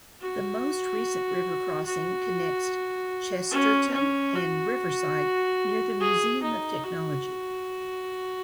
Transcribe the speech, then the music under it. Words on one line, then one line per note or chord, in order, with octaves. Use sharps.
The most recent river crossing connects Chesterton and Riverside near the Museum of Technology.
F#4
F#4
C#4
C#4
F#4
G#4
D#4
F#4